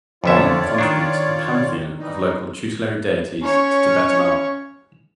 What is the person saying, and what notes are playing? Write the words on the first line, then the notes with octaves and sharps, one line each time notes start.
Bon contributes a pantheon of local tutelary deities to Tibetan art.
F2 D3 F4 C#5 D5 E5
D#3 D4
E3 G3 D#4
C#4 C#5